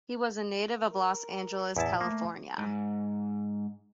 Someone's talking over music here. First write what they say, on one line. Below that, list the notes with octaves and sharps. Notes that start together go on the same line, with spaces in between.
He was a native of Los Angeles, California.
A#4
E2 A2 E4 A5
A3 A#3
G#2